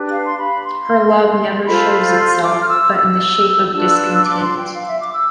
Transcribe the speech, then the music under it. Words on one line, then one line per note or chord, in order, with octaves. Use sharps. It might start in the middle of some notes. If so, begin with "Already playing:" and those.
Her love never shows itself but in the shape of discontent.
Already playing: D4 G4 B4
F5
C6
B5
C6
F4 A4 C5 B5
B5
C6
D6
F6
E6
E6
D4 F4 B4 E6
E6
E6
D6
C6
G5
F5
E5
D6
E6